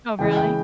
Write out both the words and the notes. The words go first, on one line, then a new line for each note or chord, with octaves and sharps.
Oh, really?
C#3 E3 G#3 G5
G5